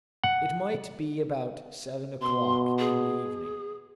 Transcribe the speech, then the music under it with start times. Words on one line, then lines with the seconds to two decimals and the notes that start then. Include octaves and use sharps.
It might be about seven o'clock in the evening.
0.24 F#5
2.22 B2 C6
2.79 G#4